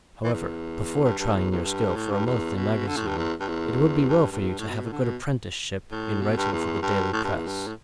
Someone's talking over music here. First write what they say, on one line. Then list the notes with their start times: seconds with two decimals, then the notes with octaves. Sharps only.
However, before trying your skill for a monthly magazine it would be well for you to have a good apprenticeship in writing for the daily press.
0.24 E3
0.34 E2
1.04 G2
1.19 G2
1.34 E2
1.51 E2
1.65 G2
1.96 A2
2.11 G2
2.26 E2
2.56 B2
2.87 D3
2.96 A2
3.07 G2
3.17 E2
3.40 G2
3.48 E2
4.08 G2
4.32 G2
4.39 E2
4.49 G2
4.59 A2
4.69 B2
4.85 A2
4.92 D3
5.00 B2
5.91 A2
6.21 B2
6.37 G2
6.52 E2
6.82 G2
7.13 A2
7.24 G2
7.35 E2
7.47 G2
7.67 A2